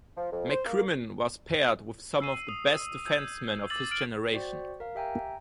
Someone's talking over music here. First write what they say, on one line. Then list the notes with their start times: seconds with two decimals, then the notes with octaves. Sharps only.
McCrimmon was paired with some of the best defencemen of his generation.
0.17 F3
0.32 F2
0.50 C5
0.66 A#3
2.20 E6 C7 D#7
2.49 D#6
3.05 E6 G6 G#6
3.70 D6 E6 A6 F#7
3.91 F6 D7 F#7
4.33 F#4 C5 D5 G5 C#6
4.80 A#4 F5
4.95 G4 E5 G5 G#5 A#5